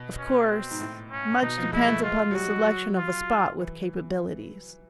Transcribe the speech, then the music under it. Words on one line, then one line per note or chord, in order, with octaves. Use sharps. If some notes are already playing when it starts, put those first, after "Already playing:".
Of course, much depends upon the selection of a spot with capabilities.
Already playing: B2
C#4
C4
G#2
A2
C#4
B2 D#4
F3
G#3 E4
A3
G#3 F4
F#3
G3 F#4
F#3
F#3
F4
E3